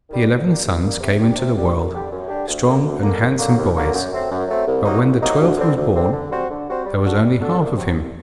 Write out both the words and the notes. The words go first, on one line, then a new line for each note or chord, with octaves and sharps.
The eleven sons came into the world, strong and handsome boys; but when the twelfth was born, there was only half of him.
D#3 G3
C2
A#2 G3 A#3
C2
A#2 G3 A#3
C3
D#3 G3 D4 G4
C3
D#3 G3 D4 G4
F#2
D3 G3 D4 G4
F#2
D3 G3 D4 G4
D2
D3 G3 A#3
D2
D3 G3 A#3
D#2
D3 F#3 A#3
D#2
D3 F#3 A#3
F#2
F#3 A3 C4
F#2
F#3 A3 C4
C2
C3 F#3 A#3 D#4
C2
C3 F#3 A#3 D#4
D2
D3 G3 C4
D2
D3 G3 C4
D3
G3 C4 F#4 C5
D3
G3 C4 F#4 C5
G3
D4 F#4 A4
G3
D4 F#4 A4
C2
C3 F#3 C4
C2